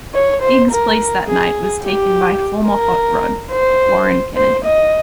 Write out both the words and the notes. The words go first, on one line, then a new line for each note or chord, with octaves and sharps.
Higgs' place that night was taken by former Hot Rod, Warren Kennedy.
C#5
C5
A#4
G#4
G4
A#4
C5
C5
D#5